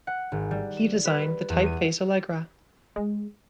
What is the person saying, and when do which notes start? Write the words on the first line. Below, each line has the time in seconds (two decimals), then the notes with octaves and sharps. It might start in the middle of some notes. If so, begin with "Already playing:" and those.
He designed the typeface Allegra.
0.07 F#5
0.32 G#1
0.51 G3
0.77 E7
1.05 B4
1.50 E2
1.66 D#7
2.96 G#3